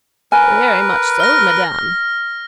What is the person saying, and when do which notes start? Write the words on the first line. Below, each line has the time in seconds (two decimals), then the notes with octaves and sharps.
"Very much so, madame."
0.32 A#4 B4 G#5
1.20 F6 A#6